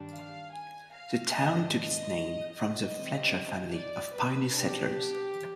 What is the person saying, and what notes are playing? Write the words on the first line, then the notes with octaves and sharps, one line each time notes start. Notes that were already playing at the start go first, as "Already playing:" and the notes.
The town took its name from the Fletcher family of pioneer settlers.
Already playing: G2 D#3 G3 D4
F5
G#5
F5
G#2 D#3 B3 D4 D#5
D#5
D#5
D#3 G3 C4
D5
B4
B2 B3 D4 G4